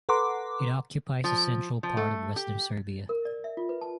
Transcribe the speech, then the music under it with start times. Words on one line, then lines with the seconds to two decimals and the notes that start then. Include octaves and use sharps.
It occupies the central part of western Serbia.
0.09 A4 B4 F#5 A#5 C6 D6
1.24 F3
1.83 F3
1.97 A3
2.36 G4
3.09 A#4
3.25 D5
3.44 E5
3.57 F4
3.69 B4
3.81 A5